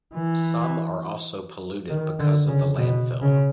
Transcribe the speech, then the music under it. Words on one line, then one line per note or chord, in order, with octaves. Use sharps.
Some are also polluted because of the landfill.
E3
D#3
D3
C#3
B2
C#3